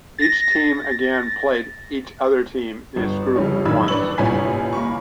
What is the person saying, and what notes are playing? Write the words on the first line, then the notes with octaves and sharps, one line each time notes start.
Each team again played each other team in its group once.
A6 A#6
G1
F2 C#3 G3 C#4
A#1 F#2 D#3 B5 E6 G#6
D4 B4 C#6 F#7
G1 C2 A#2 C#4 G#5 B6
A#3 B5 C#6